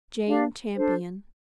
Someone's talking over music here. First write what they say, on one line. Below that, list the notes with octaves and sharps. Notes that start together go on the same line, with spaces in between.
Jane Champion.
D4 G4 D5 F5
D4 A4 C5